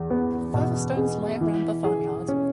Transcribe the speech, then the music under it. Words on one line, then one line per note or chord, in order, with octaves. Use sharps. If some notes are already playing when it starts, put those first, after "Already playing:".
Further stones lie around the farmyard.
Already playing: E2
B3
B2
G#4
E3
G#4
C#4